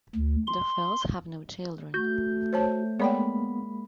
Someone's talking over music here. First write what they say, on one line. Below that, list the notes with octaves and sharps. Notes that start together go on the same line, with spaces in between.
The Fells have no children.
D2
C6
A3 F#4 G6
C5 C#5 A5
G#3 A#3 B3 C#5 D5 G5 B5